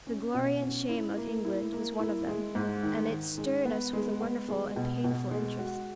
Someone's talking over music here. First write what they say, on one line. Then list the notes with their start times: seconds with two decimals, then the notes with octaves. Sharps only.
"The Glory and Shame of England" was one of them, and it stirred us with a wonderful and painful interest.
0.07 C#4
0.34 B2
0.62 C#4
0.89 E4
1.17 A#3
1.45 E4
1.73 A#3
1.99 E4
2.28 G#3
2.55 G#2
2.83 D#3
3.10 D#3
3.38 G#3
3.65 B3
3.93 G#3
4.21 B3
4.49 G#3
4.76 B2
5.04 B2
5.31 G#3
5.59 F#4